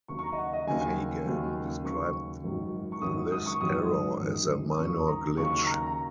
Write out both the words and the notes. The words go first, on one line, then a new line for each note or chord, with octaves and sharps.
Fagan described this error as a "minor glitch".
D#2 C#3 F#3 C#6
C#6
A#5
D#5
F#5
D#5
D#2 C#3 F#3 G#5
D#2 C#3 F#3
D#2 C#3 F#3 C#6
G#1 F#2 D#3 F#3
C#6
G#1 F#2 D#3 F#3 D#6
D#6
C#6
G#1 F#2 D#3 F#3 D#6
G#1 F#2 D#3 F#3
D#6
D#2 C#3 F#3 C#6
A#5
D#2 C#3 F#3 C#6
A#5
A#5